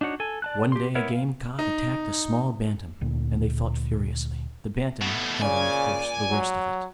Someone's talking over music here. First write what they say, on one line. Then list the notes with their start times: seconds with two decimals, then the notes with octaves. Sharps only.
One day a game cock attacked a small bantam, and they fought furiously, the bantam having, of course, the worst of it.
0.01 D4 D#4 F#4 C#5
0.20 A4 G#5
0.42 D5 A5 F#6
0.72 G4 C6
0.95 B3 E4 A#4 C#5
1.11 F5
1.59 D#4
3.01 D2 A#2
5.02 B2 A3
5.42 A#2 C#3 D5 G#5
6.30 F#3